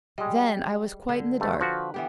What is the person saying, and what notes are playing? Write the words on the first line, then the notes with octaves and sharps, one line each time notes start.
Then I was quite in the dark.
G3 G#3 D#5
D3
G2 A3
F3 F#4 B4
E3 B3 G4